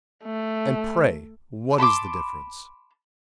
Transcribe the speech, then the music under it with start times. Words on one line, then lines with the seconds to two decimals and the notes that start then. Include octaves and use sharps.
"And, pray, what is the difference?"
0.24 A3
1.78 A5 B5 C6 D6